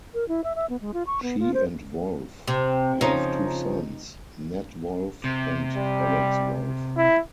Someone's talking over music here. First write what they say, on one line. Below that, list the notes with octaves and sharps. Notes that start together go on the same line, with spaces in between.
She and Wolff have two sons, Nat Wolff and Alex Wolff.
A#4
E4
E5
E5
B3
G#3
F4
C#6
B3
F4
C5
C3
C#3 F3 D#4
C3
G3
E4